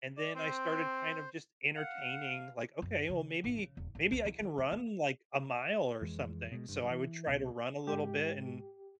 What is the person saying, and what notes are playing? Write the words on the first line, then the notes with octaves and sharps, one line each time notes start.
And then I started kind of just entertaining, like, "Okay, well, maybe maybe I can run, like, a mile or something." So, I would try to run a little bit, and
D5
C4 C5
F5 F#5
F#2
C#3
G#1
C#3
E1
G#1
C#2
C2
D#3
A3
A#3
F2 E3 G#3
B2 G#3
F#1 G2
E3
C2 B2
G#2 G#3 G4